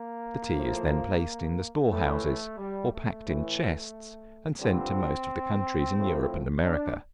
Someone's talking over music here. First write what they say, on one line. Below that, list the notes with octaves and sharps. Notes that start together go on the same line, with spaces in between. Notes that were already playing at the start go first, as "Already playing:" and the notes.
The tea is then placed in the store-houses, or packed in chests, and sent to most of the countries in Europe and America.
Already playing: A#3
A2 F3
A2 E3 A3
A3
G3
A3
A2 E3
G2 D3 F3 C4
A2 F3
D4